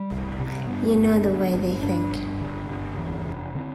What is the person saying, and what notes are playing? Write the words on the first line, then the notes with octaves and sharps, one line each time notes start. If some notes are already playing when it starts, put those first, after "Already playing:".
You know the way they think.
Already playing: G3
C2
C3
G2 B3
G1
D3
G1
G2 D4
G1
D3
G1
E2
F1
D3 C4